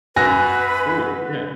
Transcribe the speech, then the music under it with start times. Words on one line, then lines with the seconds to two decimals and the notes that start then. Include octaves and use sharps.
Cool, yeah.
0.16 F#2 F#4 B4 G#5 F#6 A#6